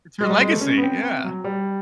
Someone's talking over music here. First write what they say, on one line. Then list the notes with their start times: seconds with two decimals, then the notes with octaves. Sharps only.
It's her legacy, yeah.
0.21 G#3
0.30 G3
0.40 G#3
0.51 A3
0.61 C#4
0.78 B3
0.83 C4
1.02 C4
1.24 F#3
1.44 G3